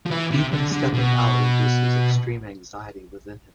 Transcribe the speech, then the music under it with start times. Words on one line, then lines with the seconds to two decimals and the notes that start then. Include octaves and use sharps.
Even stepping out induces extreme anxiety within him.
0.06 F3
0.11 E3
0.31 C3
0.52 D3
0.73 D3
0.94 B2